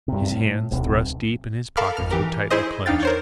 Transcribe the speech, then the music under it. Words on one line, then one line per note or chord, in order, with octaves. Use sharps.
His hands, thrust deep in his pockets, were tightly clenched.
G2 C3
A2
D1 B1 C3
A4 A#4 F5 B5 D6 F6
G#1 F2 F6
E3 G4 A#4
E4 G#4 C5 D#5
E2 D4 D#4 F5 G5 A6
A#4 C5 C#5